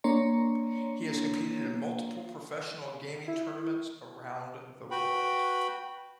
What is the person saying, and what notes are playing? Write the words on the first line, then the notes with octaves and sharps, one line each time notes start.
He has competed in multiple professional gaming tournaments around the world.
A#3 D4 C#5 A#5 C6 C#7
E4
F#4 B4 G5 B5